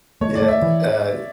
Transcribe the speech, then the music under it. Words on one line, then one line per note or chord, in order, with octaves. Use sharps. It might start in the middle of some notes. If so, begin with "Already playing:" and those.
Yeah, uh uh
A3 C#5
D5
A3
E5
E3